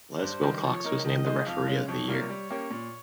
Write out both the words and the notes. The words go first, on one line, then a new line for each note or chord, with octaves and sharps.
Les Wilcox was named the Referee of the Year.
G2 C5
D#3 G3
F3 C#5
A#3 D#4 A#4
D#3 D#5
G#3 D#4 G#4 C5
F2 F5
C#3 G#3 C#4
F2 C#5
C3 G3 A#3 F4
G3
A#3 C#4 G4
A#2